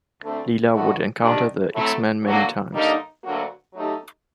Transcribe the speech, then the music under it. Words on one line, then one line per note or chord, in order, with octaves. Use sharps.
Lila would encounter the X-Men many times.
D2 D3 A3 C4
G2 D3 A3 D#4 F#4
D#3 G3 D4 G4 D5
A2 F#3 A3 C4
D3 F#3 A#3 F#4
D3 G3 A#3 D#4
D2 D3 F#3 A#3 F#4
F#3 A3 D#4 G4